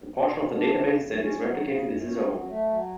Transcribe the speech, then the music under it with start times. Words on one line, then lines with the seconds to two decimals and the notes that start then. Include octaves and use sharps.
The portion of the database that is replicated is a zone.
0.12 B2
0.33 B2
0.54 D4
0.76 C#3
0.98 F#2
1.19 C#4
1.41 F#3
1.62 C#3
1.83 F#2
2.05 C#4
2.26 F#3
2.47 A3
2.68 F#3